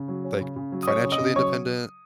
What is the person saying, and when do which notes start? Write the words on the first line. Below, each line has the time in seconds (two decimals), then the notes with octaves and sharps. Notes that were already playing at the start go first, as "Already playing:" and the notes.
like, financially independent.
Already playing: C#3
0.08 F#3
0.24 C#4
0.41 C#3
0.56 C#3
0.72 F#3
0.83 D#6
0.87 C#4 C#5 C#6
1.04 C#3
1.12 D#5 D#6
1.20 C#3
1.36 F#3 C#5 C#6